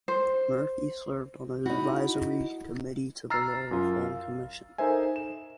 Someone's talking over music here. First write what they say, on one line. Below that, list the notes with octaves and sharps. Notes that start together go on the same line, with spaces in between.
Murphy served on an advisory committee to the Law Reform Commission.
C5
D#4 E4 F#4
A#5 E6 F6 A6 C7
F#2 F4
F5
D#4 A4 A#4 C5 E5 G#5
E7